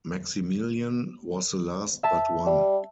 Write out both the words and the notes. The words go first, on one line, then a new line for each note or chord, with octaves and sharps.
Maximilien was the last but one.
E5 A5
G3